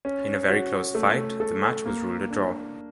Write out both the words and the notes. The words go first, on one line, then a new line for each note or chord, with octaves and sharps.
In a very close fight, the match was ruled a draw.
C#4
F#4
A3
A4
A#3
D4